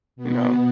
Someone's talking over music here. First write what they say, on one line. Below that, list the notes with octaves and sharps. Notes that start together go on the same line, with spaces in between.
you know.
B2 B3